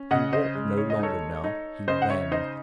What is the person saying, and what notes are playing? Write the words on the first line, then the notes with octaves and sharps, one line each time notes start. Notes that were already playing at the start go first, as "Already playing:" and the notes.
He walked no longer now; he ran.
Already playing: C#4
C#3 D#5 F#5
C5 D#5
G#3
C#5
D#5
D#4 A4 C#5
D#4
C#3 C5 D#5
F#5
C#5 E5
D#4 C5 D#5